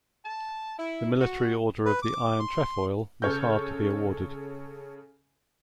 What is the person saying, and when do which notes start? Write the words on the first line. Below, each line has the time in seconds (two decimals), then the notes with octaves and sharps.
The Military Order of the Iron Trefoil was hard to be awarded.
0.24 A5
0.79 E4
1.20 F#4
1.86 B4
2.02 D6
2.40 C6
3.22 C#3 A4 C#5 F6 G6